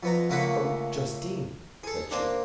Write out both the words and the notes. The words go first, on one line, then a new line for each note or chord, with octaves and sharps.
"Oh, Justine!" said she.
F2 B3 A#5
C#2 C#3 A3 A#3 F#5 B5
G#4 A4
A#3 C4 D4